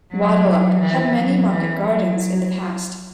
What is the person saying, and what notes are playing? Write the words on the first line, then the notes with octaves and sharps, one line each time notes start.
Wattleup had many market gardens in the past.
F#3
E3
F#3
E3
F#3